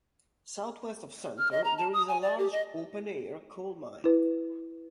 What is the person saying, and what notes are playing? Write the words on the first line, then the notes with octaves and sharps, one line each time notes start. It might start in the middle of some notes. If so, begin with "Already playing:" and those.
Southwest of Center, there is a large open air coal mine.
F6
D#5
A#5
A5
D#6
G#5
D5
G4
D#5
E4 B4